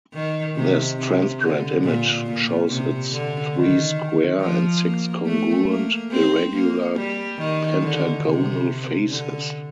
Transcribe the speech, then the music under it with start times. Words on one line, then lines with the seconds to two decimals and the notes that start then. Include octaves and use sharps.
This transparent image shows its three square, and six congruent irregular pentagonal faces.
0.13 D#3
0.56 C3
0.99 C3
1.41 D3
1.84 A#2
2.26 A#2
2.69 C3
3.12 D3
3.55 D#3
4.40 F3
4.82 A#3
5.26 A3
5.68 A#3
6.10 C4
6.53 A#3
6.95 G3
7.38 D#3
7.81 D3
8.24 C3
9.09 D3